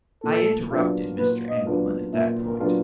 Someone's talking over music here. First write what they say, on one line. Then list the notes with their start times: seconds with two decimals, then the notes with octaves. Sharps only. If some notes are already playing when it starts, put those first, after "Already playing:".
I interrupted Mr. Engelman at that point.
0.23 A#2 A4
0.71 F#3 B3 D4 F4
1.18 A#2 B4
1.49 D#5
1.65 F#3 B3 D4 F4
2.14 A#2 E5
2.45 A#4
2.60 F#3 B3 D4 F4